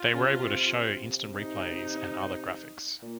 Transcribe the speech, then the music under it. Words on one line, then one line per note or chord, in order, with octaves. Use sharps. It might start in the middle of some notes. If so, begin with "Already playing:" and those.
They were able to show instant replay and other graphics.
Already playing: F4
C#3
C3
C3
C3
C3
D#4
A#2